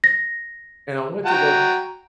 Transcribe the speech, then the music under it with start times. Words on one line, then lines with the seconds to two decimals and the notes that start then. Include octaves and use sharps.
and I went to go
0.04 A#6
1.26 F#4 G5 A#5